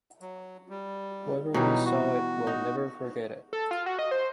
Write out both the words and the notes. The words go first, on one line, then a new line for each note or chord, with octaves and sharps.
Whoever once saw it will never forget it.
F#3
G3
B2 E3 F#3 G3 D#4
F#4
D#4
A4
F4
F#4
D#5
C5